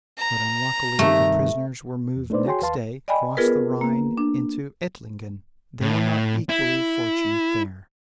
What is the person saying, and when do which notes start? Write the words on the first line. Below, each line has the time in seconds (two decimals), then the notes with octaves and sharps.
But, unluckily, the prisoners were moved next day across the Rhine into Ettlingen. They were not equally fortunate there.
0.18 A#5
0.99 G2 C3 D#3 A3
2.16 E2
2.30 A3 D4 D#4 B4 C5 D5
2.46 F#4 G#4 C#5 G5 G#5 C6
2.62 D#2 B4 F5 A5 C6
3.08 D5 D#5 G5 G#5 B5
3.37 B3 F4 G#4 A#4 B4
3.81 A#3
4.18 D4
5.81 A2
6.49 E4